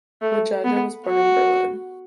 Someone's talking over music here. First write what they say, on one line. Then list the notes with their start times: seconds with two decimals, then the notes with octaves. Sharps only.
Widjaja was born in Berlin.
0.22 A3
0.64 B3
1.07 F#4